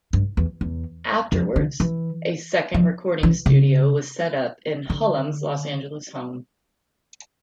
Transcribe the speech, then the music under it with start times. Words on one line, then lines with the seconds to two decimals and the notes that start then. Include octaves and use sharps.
Afterwards, a second recording studio was set up in Hullum's Los Angeles home.
0.13 G2
0.37 E2
0.61 E2
1.32 F2
1.56 D3
1.80 E3
2.74 F3
3.23 E3
3.46 C#3
4.90 D3